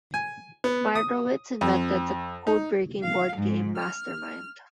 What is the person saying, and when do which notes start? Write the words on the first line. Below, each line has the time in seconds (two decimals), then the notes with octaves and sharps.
Meirowitz invented the code-breaking board game "Master Mind".
0.14 G#5
0.64 B3
0.95 D#6
1.61 F2
2.47 D#4
3.04 F5
3.37 G#2
3.78 F6